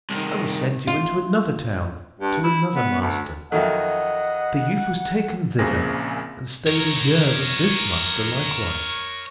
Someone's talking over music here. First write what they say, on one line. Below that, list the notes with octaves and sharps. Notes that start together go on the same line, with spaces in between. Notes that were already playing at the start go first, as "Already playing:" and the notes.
I will send you into another town, to another master.' The youth was taken thither, and stayed a year with this master likewise.
C2 D#3
F4
G2
E4
B3
D2
F2 D#3 F#3 A4 D#5 E5 F#5
A#1 A#2 C#3 C4 G#4 A#6
A#4 C#5